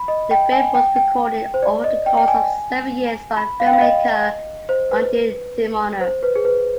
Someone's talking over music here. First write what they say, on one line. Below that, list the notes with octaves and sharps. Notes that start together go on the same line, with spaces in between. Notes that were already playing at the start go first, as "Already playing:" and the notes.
The film was recorded over the course of seven years by filmmaker Ondi Timoner.
Already playing: B5
D#5
G5
G#5
G5
G5
C5
D5
D#5
G5
G5
G#5
B5
F5
G5
F5
D#5
C5
B4
C5
B4
G#4
B4